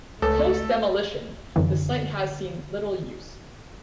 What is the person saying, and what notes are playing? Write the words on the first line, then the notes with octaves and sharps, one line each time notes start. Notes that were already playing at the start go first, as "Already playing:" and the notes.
Post-demolition, the site has seen little use.
C#2 A3 A4
F#2 D3 E3